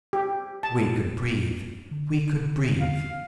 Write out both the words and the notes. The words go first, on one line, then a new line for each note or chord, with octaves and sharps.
We could breathe! We could breathe!
G4
A5
D3
F5